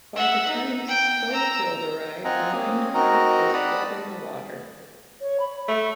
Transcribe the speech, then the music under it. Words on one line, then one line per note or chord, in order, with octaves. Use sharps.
By the time "Schofield" arrived, the minecraft was dead in the water.
E5 F#5
D#4
G5
A#5 E6
C4 F4 D#5 F#5 G#5 A#5
A#3 C4 C#4 D#6
C4 D#4 F#4 A#4 D#5 A#5
D5 F#5 A5 B5 D#6
C#5
B5
A3